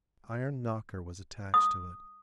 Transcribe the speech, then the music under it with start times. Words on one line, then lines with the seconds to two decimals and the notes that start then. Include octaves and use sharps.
An iron knocker was attached to it.
1.54 D#6